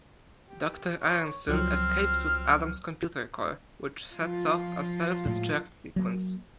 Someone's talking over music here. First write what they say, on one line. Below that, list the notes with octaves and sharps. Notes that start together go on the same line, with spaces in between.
Doctor Aaronson escapes with Adam's computer core, which sets off a self-destruct sequence.
G4
C#5
C#2 F3 F#3 C4 F6
F3 F4
A2 G#3
F#3 A#3